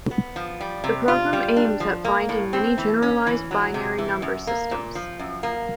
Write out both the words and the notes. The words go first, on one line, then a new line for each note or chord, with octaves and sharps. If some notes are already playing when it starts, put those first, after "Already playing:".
The program aims at finding many generalized binary number systems.
B3
F3
G3
C3
F4
G3
D4
F3
A#3
A2
C4
E3
C#4
E3
F#3
C3
E3
F#2
A#3
A#2
F3
F#2
A#3